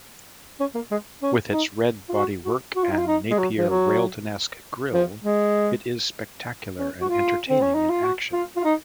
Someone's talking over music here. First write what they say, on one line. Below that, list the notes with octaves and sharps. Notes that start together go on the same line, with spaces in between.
With its red bodywork and Napier-Railton-esque grille, it is spectacular and entertaining in action.
C#4
A#3
G#3
C#4
D#4
F4
F#4
F#4
F#4
F4
D#4
F4
D#4
G#3
F#3
F3
F#3
F3
G#3
C#4
F#4
F4
C4
C#4
D#4
F4
F#4
F4
F4
D#4